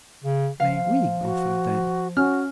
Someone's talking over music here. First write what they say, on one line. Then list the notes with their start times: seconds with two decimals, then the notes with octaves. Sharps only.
"May we offer, then?"
0.24 C#3
0.60 F3 F5
1.23 F#4
2.17 C#4 F#4 F6